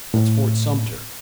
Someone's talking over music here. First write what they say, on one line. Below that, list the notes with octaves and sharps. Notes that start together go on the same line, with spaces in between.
That's Fort Sumter.
A2